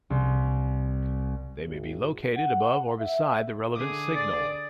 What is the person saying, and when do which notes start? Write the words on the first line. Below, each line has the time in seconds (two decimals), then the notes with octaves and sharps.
They may be located above or beside the relevant signal.
0.10 C2 C6
1.66 G#1
2.36 F#5
3.00 E5
3.74 D3 G#4 D6 D#6
4.15 D5